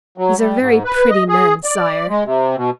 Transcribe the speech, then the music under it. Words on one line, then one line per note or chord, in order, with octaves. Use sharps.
These are very pretty men, Sire.
F#3
G3
G#2
B4
D#5
G#4
D5
G#3
C3
B2